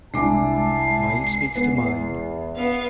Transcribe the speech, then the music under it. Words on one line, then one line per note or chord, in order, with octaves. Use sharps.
Mind speaks to mind.
C2 G#3 D4 E4 A5 D6
C7
E2 B3
B3 F5